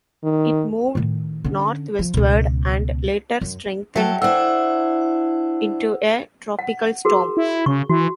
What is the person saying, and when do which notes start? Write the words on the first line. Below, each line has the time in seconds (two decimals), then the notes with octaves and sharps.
It moved northwestward and later strengthened into a tropical storm.
0.24 D#3
0.95 A2 D#3
1.44 D3 C#4
1.99 F3
2.14 C#2 B2
3.41 F#2
3.96 F#3 A4 E5 F#5 G5
4.22 D4 E4 C5 F#5 E6
6.59 F#5
7.05 F#4 G#4 A#4
7.37 E4
7.66 C#3 C#6
7.90 E3 F#4